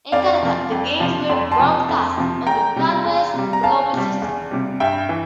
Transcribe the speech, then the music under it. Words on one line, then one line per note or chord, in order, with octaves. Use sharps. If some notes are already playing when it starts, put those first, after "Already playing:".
In Canada, the games were broadcast on the CanWest Global System.
F2 D5 F5
C3 F3
F2
C3 F3
F2 C6
A5 C6
C3 F3
F2
C3 F3
E2 G5 A#5
C3 G3
E2
C3 G3
A#5
E2 F5 A5
C3 G3
E2
C3 G3
G2 E5 G5
E3